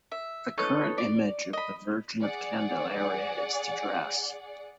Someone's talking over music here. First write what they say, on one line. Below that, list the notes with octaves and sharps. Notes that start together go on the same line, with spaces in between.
The current image of the Virgin of Candelaria is to dress.
E5
D#4 A4 B4 C#5
D5
D#5 B5
G#4 D5 F#5